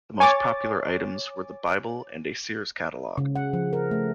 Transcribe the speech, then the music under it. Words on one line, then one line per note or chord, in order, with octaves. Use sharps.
The most popular items were the Bible and a Sears catalogue.
C#5 G#5 D6 A6
C#3
F#5
F3
A#4
A3